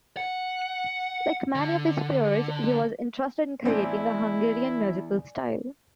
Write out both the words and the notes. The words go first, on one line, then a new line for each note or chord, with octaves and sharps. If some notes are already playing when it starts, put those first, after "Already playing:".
Like many of his peers, he was interested in creating a Hungarian musical style.
F#5
D3
E2 A2 C4 E4 D5 G#5